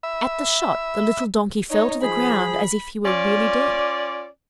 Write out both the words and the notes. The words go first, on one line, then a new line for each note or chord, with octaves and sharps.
At the shot, the little Donkey fell to the ground as if he were really dead.
E5 B5
D#4 C#5
F3 G#4 B5
C#4 F4 D5